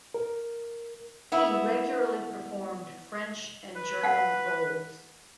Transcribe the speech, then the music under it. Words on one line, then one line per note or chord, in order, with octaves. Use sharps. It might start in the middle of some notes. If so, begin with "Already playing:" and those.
He regularly performed French and German roles.
A#4
B3 E4
B4
F5 F#5